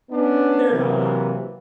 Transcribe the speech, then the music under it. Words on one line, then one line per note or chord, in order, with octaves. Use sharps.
They're not.
B3 C#4 D4
C3 E3 F#3 A#3